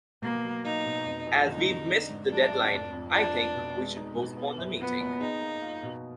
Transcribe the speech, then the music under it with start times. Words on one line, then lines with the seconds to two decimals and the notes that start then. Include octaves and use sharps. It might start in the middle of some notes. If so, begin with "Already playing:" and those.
As we've missed the deadline, I think we should postpone the meeting.
0.22 B2 A#3
0.43 F#3
0.64 A#3 D#4
0.85 B2
1.05 F1
1.27 F2
1.47 D3 D#4
1.68 F1
1.88 D4
2.09 G#2
2.30 F#3 D4
2.51 G#1
2.71 F1
2.93 F2
3.12 F3 D4
3.33 F1
3.54 B2
3.76 G#3
3.97 D#4
4.17 B2
4.37 B3
4.58 F#2
4.79 F3 B3
5.00 F#1
5.20 D#4 G#4
5.41 A#3
5.62 F4
5.83 B2